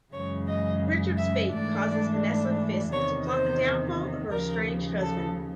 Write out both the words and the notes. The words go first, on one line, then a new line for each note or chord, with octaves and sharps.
Richard's fate causes Vanessa Fisk to plot the downfall of her estranged husband.
F#2 C#3 E3 G#3 C#5
D#5
E5
G#2 E3 A3 D4 D5
E2 C3 D#3 C#5
C5
D#2 C#3 F3 A#4
A4